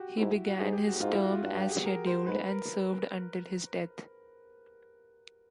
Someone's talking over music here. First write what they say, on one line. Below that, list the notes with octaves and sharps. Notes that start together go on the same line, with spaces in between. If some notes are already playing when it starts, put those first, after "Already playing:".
He began his term as scheduled, and served until his death.
Already playing: F#4 G4
G#2 E4
F#4
G#2 G#4
G4
F#4
G#2 F4
E4
F#4
F4
G2 F#4
G4
G#4
A#4
C5
G#2 B4
A#4